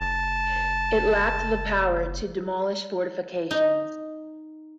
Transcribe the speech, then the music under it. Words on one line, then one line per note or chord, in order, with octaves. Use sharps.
It lacked the power to demolish fortifications.
F#1 A5
D#4